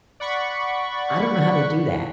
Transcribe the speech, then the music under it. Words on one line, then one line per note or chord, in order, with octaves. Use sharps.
I don't know how they do that.
D5 F#5 B5 C#6